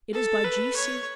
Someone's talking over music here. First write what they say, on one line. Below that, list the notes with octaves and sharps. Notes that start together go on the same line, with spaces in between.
It is by G.C.
A4
B4
C#5